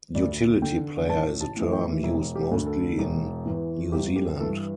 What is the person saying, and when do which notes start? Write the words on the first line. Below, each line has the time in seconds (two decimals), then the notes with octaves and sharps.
Utility player is a term used mostly in New Zealand.
0.15 D2 D5
0.62 D3 G5
1.09 A1 A5
1.41 A5
1.56 A2 E3
1.73 G5
2.03 E1 E4
2.35 G4
2.51 D2 D3
2.67 A4
2.98 E1
3.46 E2 E3
3.92 G1 G4
4.16 G4
4.40 G2 E3 A4